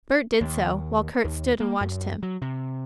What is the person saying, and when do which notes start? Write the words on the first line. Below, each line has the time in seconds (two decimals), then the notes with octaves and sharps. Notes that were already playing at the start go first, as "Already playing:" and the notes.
Bert did so, while Kurt stood and watched him.
0.41 D#2
1.25 D#2
1.60 A#3
1.81 F#2
2.23 F#3
2.42 C3